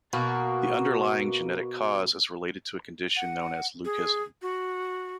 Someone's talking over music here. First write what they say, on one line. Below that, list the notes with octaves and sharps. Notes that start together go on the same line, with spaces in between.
The underlying genetic cause is related to a condition known as leucism.
B2 A#3 F#4
F#5
G#4
F#4